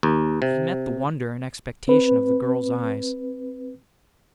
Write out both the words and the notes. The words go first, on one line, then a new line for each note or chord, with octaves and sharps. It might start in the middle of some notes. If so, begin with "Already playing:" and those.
He met the wonder and expectation of the girl's eyes.
D#2
C3
C4 B4